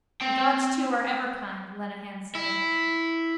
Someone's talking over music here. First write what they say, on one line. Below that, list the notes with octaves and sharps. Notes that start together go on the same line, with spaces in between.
The gods too are ever kind, Lenehan said.
C4 G5
E4